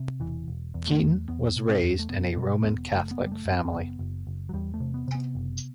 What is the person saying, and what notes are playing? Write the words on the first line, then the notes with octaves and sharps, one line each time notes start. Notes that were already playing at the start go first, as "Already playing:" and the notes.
Keaton was raised in a Roman Catholic family.
Already playing: C3
E1 E3
E1
E2
A3
E2
E2 B3
B2
C4
E2
A3
E1 B3
B2 G3
E1 B3
F#1 A3
B3
F#1
G3
A3
F#2
C4
C4
F#1 B3
F#1
F#1
F#3
E2 G3
A3
C3
B3
C3
B3
F#1